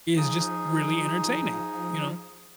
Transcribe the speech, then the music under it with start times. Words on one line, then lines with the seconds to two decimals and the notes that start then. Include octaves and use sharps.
is just really entertaining. You know?
0.17 F3 D#4 G#4